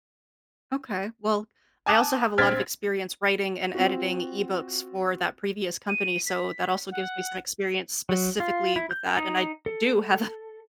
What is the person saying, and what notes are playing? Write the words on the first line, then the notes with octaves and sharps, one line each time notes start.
Okay. Well, I also have a lot of experience writing and editing ebooks for that previous company, so that also gives me some experience specifically with that, and I d do have a
G#5 A5 D6 D#6 F#6
A#1 C4 F6 G#6 A6 B6
C4 F4 F#4
D#7
B6
F#5
F#3
F4
E4
G6
D#4
A4